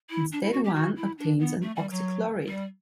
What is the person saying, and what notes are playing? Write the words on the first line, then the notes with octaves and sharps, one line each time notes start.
Instead one obtains an oxychloride.
E4
D4
E4
F#4
G4
F#4
E4
D4
B3
A3
G3
F#3
G3